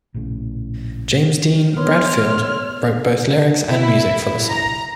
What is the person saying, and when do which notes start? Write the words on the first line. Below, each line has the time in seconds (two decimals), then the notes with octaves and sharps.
James Dean Bradfield wrote both lyrics and music for the song.
0.14 A#1 A2 C#3
1.77 B3 C#5 C6 F6
3.68 E4
4.51 A#5